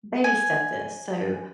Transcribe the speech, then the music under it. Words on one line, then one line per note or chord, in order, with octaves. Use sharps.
baby-step this." So,
G#5